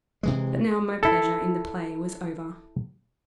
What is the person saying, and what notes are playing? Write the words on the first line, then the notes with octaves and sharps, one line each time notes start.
But now, my pleasure in the play was over.
C3 E3 G#3
E4 A4